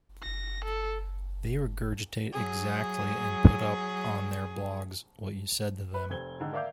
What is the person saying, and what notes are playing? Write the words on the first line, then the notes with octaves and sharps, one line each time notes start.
They regurgitate exactly and put up on their blogs what you said to them.
A#6
A4
F#3 G#4
B4
F1 C4 G#6 G7
G#2 D3 D#3
A#4 D5 E5 F5 D6 G6